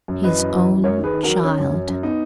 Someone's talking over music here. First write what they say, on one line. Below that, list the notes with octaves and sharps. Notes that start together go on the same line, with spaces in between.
His own child!
F#2
E3 B4 D#5
F#2
E3
F#2
F#2 A#4 C#5
D#3
G#4 B4
D#3
F#3 F#4 A#4
D#3 C#4
F#2
F#2
F#2
B3 D#4